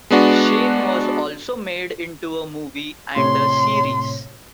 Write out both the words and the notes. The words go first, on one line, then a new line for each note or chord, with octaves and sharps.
Shane was also made into a movie and a series.
G#3 B3 D4 F#4
A2 C3 C#5 C6